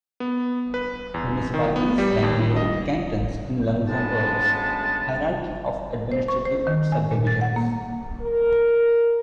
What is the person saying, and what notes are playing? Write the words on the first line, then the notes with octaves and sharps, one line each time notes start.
Municipalities rank below cantons in Luxembourg's hierarchy of administrative subdivisions.
B3
B4
E2
D#3
B3
G3
D#2
D#5
D2 C#3 G#3 B3 A5
C5
C#6
C5
D#3
G#5
A#2
A6
F#5
A#3
A#4